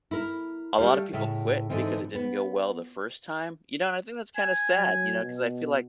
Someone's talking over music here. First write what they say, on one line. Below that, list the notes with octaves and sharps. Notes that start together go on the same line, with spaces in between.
a lot of people quit because it didn't go well the first time. You know, and I think that's kinda sad, you know, 'cause I feel like
E4 A#4
G3 A3 G4 F5
A2 C#3 E4 E5
G#2 D3 E3 C4
B3
G#5
F#3
B2